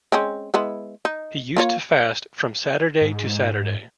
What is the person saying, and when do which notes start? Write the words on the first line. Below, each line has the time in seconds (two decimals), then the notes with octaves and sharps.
He used to fast from Saturday to Saturday.
0.12 G#3 C4 C#4
0.54 G#3 B3 E4
1.05 D#4
1.56 A#3 F4 C#5
3.02 G#2